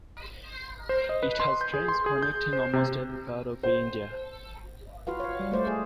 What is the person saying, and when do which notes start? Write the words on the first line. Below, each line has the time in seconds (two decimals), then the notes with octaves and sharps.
It has trains connecting almost every part of India.
0.89 C5
1.09 D#5
1.23 B4
1.40 C6
1.61 G6
1.74 G#4
1.88 C6
2.06 G#4
2.23 G6
2.53 C5
2.73 C3
3.63 C5
5.07 F4 F#4 B4 F5
5.20 C#5 F5
5.40 G3
5.52 A3 C5 D5
5.67 G#4